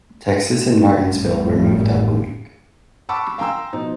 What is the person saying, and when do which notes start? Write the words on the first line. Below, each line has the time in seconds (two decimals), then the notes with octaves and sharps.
Texas and Martinsville were moved up a week.
1.07 G#1 F#2 A2 G3
3.09 F#5 A5 B5 C#6 D6 E6
3.38 F5 G5 G#5 A#5 C6 E6
3.73 B2 F3 D#4